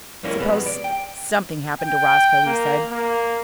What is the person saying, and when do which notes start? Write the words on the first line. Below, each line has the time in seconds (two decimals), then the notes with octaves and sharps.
"Suppose something happened to Roscoe," he said.
0.23 F2 G3 A#3 C#4 E4
0.39 C2 F2 G3 G#3 B3
0.66 D5
0.84 G5
1.81 G5
2.46 A#3
2.92 A#3